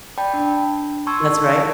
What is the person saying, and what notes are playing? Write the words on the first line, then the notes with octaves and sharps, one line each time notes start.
That's right.
D5 G5 A5 B5
D4
A5 C6 C#6 E6 G#6